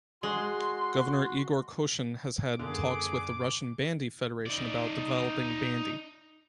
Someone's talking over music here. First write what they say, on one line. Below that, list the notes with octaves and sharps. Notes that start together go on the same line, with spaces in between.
Governor Igor Koshin has had talks with the Russian Bandy Federation about developing bandy.
G#3 F#4 C6
F#2 D3 A#3 G#4 D6
D#4 D5